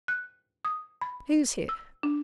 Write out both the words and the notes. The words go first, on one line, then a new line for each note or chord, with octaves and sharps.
"Who's here?"
F#6
D#6
B5
E6
D4